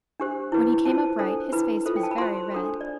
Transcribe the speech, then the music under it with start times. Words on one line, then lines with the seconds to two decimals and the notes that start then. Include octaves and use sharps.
When he came upright his face was very red.
0.20 D4 G4 C5
0.52 E4 B4
0.85 F4 C5 A5
1.19 D4 A4 C5
1.53 E4 B4 B5
1.86 F4 A4 C5
1.96 G5
2.03 A5
2.11 B5
2.18 F4 C5 C6
2.52 D4 A4 C5
2.81 D5